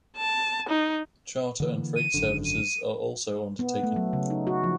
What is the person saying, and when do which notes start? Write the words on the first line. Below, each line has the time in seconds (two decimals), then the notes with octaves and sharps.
Charter and freight services are also undertaken.
0.17 A5
0.69 D#4
1.60 D3 E3 A#3
1.96 D#7
2.14 G#1 F#2 D3
2.45 D#7
3.59 B3
3.83 A3
3.96 F#3
4.13 C#3
4.30 D#4
4.47 F#4
4.64 F3